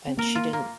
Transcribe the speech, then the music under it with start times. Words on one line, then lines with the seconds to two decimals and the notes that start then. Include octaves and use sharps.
and she didn't
0.07 C4
0.17 A#3 A#4
0.35 F4
0.53 A#3